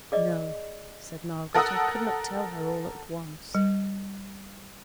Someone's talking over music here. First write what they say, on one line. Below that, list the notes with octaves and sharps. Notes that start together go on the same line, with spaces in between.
'No,' said Margaret; 'I could not tell her all at once.'
G#4 D5 D#5
A4 A#4 F#5 D#6 E6
G3